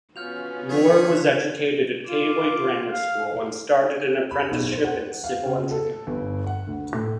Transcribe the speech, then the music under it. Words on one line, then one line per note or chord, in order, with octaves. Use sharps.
Moore was educated at Keighley Grammar School and started an apprenticeship in civil engineering.
B3 C#4 F4 F#4 F6 G6 F7
D3 F3 A3 F4 G#4 C#5 G#6 B6
F4 D6
F5
B5
B1
C5
F#5
F5
C#3
A4
G1
F#5
D2
A2